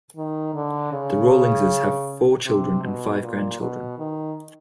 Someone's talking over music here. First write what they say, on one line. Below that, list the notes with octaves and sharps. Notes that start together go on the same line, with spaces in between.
The Rawlingses have four children and five grandchildren.
D#3
D3
C#3
C3
B2
A#2
B2
D#3